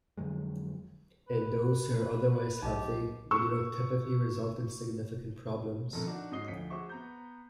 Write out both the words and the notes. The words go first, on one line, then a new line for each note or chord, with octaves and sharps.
In those who are otherwise healthy they do not typically result in significant problems.
F2 D3 F#3 G#3
B4
B1 D#4 G4 D#5
C#6 E6
A#1 F2 B2 D3 A4 A#4
D4 D#4 F#4
G#2 C#4 D#5 D#6 C7 G7
D2 F3 B6 C#7
F#4 G#4 C5 E5 C#6 D6
B3 A#5 G6